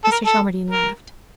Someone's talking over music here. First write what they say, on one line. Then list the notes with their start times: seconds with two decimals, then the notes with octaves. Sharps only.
Mr. Shelmardine laughed.
0.04 A4
0.12 A#4
0.26 A4
0.70 A#4